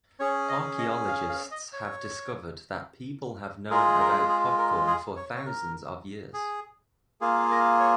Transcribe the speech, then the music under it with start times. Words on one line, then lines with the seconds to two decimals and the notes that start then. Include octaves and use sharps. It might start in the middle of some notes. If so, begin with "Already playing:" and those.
Archaeologists have discovered that people have known about popcorn for thousands of years.
0.20 C#4 G#4 C#5
0.49 D#5
0.79 D#5
1.08 F5
1.29 F5
1.51 D#5
1.73 C#5
3.70 G#3 F4 G#4 A#4
4.00 A#4
4.29 G#4
4.58 A#4
4.87 G#4
5.16 C#5
5.36 C#5
5.46 A#4
6.34 G#4
7.21 A#3 F4 G#4
7.51 A#4
7.80 C#5